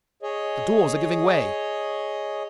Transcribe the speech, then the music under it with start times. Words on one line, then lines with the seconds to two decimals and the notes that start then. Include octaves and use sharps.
The doors are giving way.'
0.23 G#4 C#5 D#5